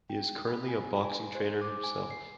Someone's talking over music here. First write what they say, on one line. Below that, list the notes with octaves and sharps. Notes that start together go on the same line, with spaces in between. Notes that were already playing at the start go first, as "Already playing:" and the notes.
He is currently a boxing trainer himself.
G5
B5
G#5
G#5
C5
D6
G#5
C7